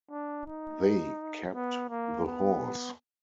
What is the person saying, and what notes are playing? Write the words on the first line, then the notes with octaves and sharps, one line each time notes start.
They kept the horse.
D4
D#4
B3
A#3
B3